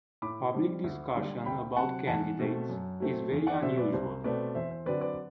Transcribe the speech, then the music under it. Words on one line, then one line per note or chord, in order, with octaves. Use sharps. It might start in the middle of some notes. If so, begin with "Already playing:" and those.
Public discussion about candidates is very unusual.
A2 B5 D6
G3 C4
D2
D3 G3
D2 G5 B5
C3 F#3 F#5 A5
E2 F#5 A5
B2 A3 C4
F#2
F#3 A3 C4
E2
D5 F#5
B2 F#3 C5 E5
B4 D5
C2 C5
B2 A3 C4 B4 D5
E2 C5 E5
C5
D3 F#3 C4 B4 D5
B4 D5